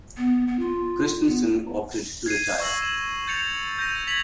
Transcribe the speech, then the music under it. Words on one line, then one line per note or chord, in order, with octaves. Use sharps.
Christensen opted to retire.
B3
B3
F4
B3
G#6 C7 D#7
C#6 E6 A#6 F#7
E7 F#7
G6 A6 C#7 F7
G6 A#6 D#7
G#6 B6 F7 F#7